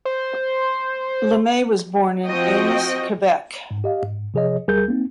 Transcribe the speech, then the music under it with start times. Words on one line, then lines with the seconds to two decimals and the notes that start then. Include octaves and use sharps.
Lemay was born in Amos, Quebec.
0.05 C5
2.25 F3 C4 F#4 D#5 G5
3.71 G#2
3.84 G4 D#5 F5
4.03 G#2
4.34 C3 F3 G#4 C#5 D#5
4.68 D2 G3 G#4 A#4 G6
4.88 A#3 C4 D#4